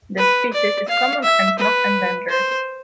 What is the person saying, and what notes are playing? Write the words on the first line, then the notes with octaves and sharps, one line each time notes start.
The species is common and not endangered.
B4
D5
F5
E5
B4
C5